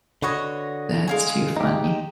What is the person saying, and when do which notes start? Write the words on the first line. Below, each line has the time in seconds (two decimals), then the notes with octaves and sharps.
That's too funny.
0.22 D3 F#4 B4 C#5 D#5
1.07 G#3 F5 G#5
1.57 D#4 G4